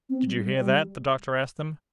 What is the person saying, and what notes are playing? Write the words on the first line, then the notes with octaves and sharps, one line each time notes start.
"Did you hear that?" the doctor asked them.
C4
G3
G3